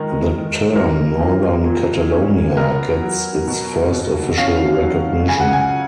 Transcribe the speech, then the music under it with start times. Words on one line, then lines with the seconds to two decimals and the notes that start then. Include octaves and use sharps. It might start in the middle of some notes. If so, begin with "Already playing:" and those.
The term Northern Catalonia gets its first official recognition.
Already playing: D#3 G#3 A#4
0.30 D#3
0.75 A#3 A#4
1.20 F3
1.66 A#2
2.11 C#4
2.57 B3 A#4
3.02 F#3
3.48 B2
3.93 B2
4.38 C#4 F5
4.83 F#3
5.29 C#3 G#5
5.40 F#5
5.53 G#5